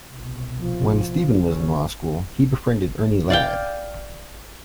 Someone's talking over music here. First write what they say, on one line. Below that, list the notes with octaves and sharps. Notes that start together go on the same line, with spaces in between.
When Stevens was in law school, he befriended Ernie Ladd.
C2 B2
F3
D3 C#4
D5 F5 G5